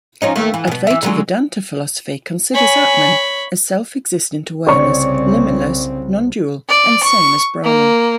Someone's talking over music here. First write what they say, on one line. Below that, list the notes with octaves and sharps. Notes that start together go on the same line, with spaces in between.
Advaita Vedanta philosophy considers Atman as self-existent awareness, limitless, non-dual and same as Brahman.
F3 C#4 D#4
D#2 A3 A#3
E3
B2 B3
E3 E5
D3 F#3 G#3
C#5 G#5 B5
C2 C#3 C4 C#5 D5 C#6
D5
C#6
A#3